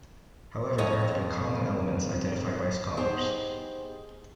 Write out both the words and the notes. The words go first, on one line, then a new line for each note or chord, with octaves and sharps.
However, there have been common elements identified by scholars.
F2 C#5 D#5
B3 D#4 G4 G#4 C5